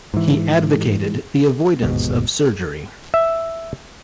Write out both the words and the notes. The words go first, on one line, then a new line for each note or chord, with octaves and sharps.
He advocated the avoidance of surgery.
G#2 E3
G1 D#2 G#2 B2
E5